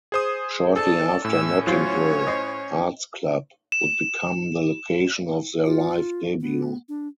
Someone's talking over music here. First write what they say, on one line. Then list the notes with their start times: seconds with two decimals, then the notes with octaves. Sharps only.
Shortly after Notting Hill Art's Club would become the location of their live debut.
0.12 G#4 C5 D#6
0.76 A4 D5 A5
1.25 A2 C#4 E6
1.67 F#3 F4 C5 C#5
2.27 C5 D#5
3.72 E7
5.65 F4
6.40 B3
6.89 D4